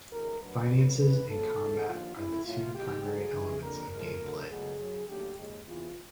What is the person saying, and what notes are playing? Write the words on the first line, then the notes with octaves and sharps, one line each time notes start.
Finances and combat are the two primary elements of gameplay.
D2 C#3 E3 G#3 A#4
F#2 D3 F#3 A3 B4
F2 C#3 F#3
E2 C#3 E3 B4
D2 C#3 F3 A#3 A4
C#2 C3 E3
D#2 D3 F3 F4
C#2 C3 E3 E4
A2 F#3 A3 F4
C2 B2 G#3 G4
D2 D3 F#3 A3 G#4
G2 E3 G#3
F2 D3 G3 A#3 A#4
A2 F3 G#3 A#4
D2 D3 F#3 A3
C#2 B2 F#3 A3 G#4
F#2 C#3 F#3
D#2 D3 F#3 A3 G4
D#2 C#3 F3 G#3
E2 C3 E3 F4